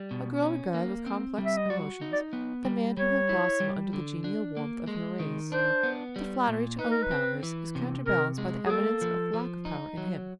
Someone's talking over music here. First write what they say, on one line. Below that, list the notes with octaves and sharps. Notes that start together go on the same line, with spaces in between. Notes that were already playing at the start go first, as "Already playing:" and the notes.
A girl regards with complex emotions the man who has blossomed under the genial warmth of her rays; the flattery to own powers is counterbalanced by the evidence of lack of power in him.
Already playing: G3
B2
C#4
A#3
C4
G3
E5
D#5
F#4 D5
D#4
D5
B3
G3
G3 C#5
E4
G3
D3
D4
A#3
G#3
D#3
D4 C5
B3
G3
A#2
D#4 B4
A#4
B4
C4
E3
C3
C3 A#4
G#3
G#4
A#3 A4
F3
F3
D#4
F#3